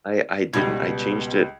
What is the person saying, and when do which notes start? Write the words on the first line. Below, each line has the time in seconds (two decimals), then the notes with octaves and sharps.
I I didn't, I changed it
0.54 C#2 B2 G3 G#6